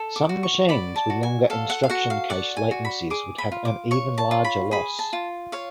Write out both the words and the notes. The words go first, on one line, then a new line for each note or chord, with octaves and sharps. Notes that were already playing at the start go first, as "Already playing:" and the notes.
Some machines with longer instruction cache latencies would have an even larger loss.
Already playing: A4
D6
F#4
C#6
D5 B5
A5
F#4
G#5
A4 F5
F#5
F5
F#4 F#5
F5
D5 F#5
G#5
F#4
B5
G#4 D6
B5
F4
D6
C#5 C#6
A5
F4
B5
G#4 B5
A5
F4
C#5 F5